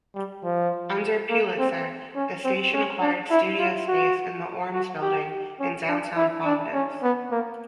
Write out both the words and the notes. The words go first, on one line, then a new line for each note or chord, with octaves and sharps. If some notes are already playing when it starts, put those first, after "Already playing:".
Under Pulitzer, the station acquired studio space in the Orms Building in downtown Providence.
G3
F3
A#3
C4
C#4
C4
C#4
D4
E4
F4
F#4
F#4
G4
C#4
D4
E4
D4
C#4
B3
A#3